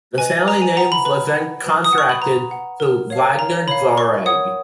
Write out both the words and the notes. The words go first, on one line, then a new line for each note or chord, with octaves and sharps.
The family name was then contracted to "Wagner-Jauregg".
B4 D#5 G#5
B4 A#5
G#5
F#5 A#5
B5
B4 B5
F#5
B4
D#6
F#5
C#6
B5
B4 A#5
F#5
A#4
C#5 F5
A#4 A#5
C#5 F5 B5
A#4 C#6
C#5 F#5 D#6